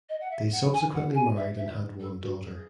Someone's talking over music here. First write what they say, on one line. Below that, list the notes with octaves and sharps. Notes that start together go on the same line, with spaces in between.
They subsequently married and had one daughter.
D#5
F#5
E5
F#5
G#5
F#5
G#5
E5
E5
A4
F#4
G#4